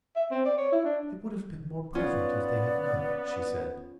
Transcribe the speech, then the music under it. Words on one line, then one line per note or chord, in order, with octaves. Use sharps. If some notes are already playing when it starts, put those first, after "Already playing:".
"It would have been more perfect if they had not," she said.
E5
C4
D5
C#5
E4
D4
B3 C#4 F4 D5